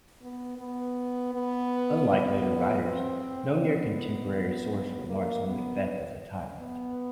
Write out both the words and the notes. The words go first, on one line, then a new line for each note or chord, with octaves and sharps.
Unlike later writers, no near contemporary source remarks on Macbeth as a tyrant.
B3
B3
B3
B3
C4
B3
A#3
B3
B3